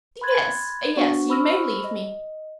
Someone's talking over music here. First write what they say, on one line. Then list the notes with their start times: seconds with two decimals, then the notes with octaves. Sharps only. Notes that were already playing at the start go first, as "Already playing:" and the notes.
"Yes, yes, you may leave me."
0.21 B5 C6 F#6 G#6 A6
0.96 B3 D4 F#4 C5 F#5 C#6
1.29 C5 B5 C#6 E6 F6 A#6
1.84 D#5